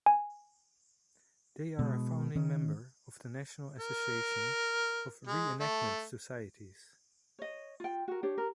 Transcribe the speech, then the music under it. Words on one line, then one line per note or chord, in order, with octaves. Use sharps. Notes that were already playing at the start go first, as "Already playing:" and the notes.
They are a founding member of the National Association of Re-enactment Societies.
G#5
B2 G#3
D#3 C#4
A#4
G#3
A3
C#5 D#5
F4 G5
F#4 A#4
D4 G4 C#5
A#4